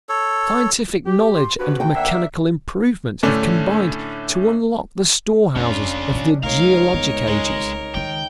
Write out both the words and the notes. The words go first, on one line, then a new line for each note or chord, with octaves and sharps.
Scientific knowledge and mechanical improvement have combined to unlock the storehouses of the geologic ages.
A4 C#5
G4
C6
G2 F3 F#4 B4
D2 G5
A#3 D4 E5 F#5
A2 D3 A3 C#4 D4
F1 C#3 C#4 D4 F4
C3 E3
C#2 A3 D#4 A#4 C#5 F5
G#3 B3
C2 G#3
D#3 G#3 G5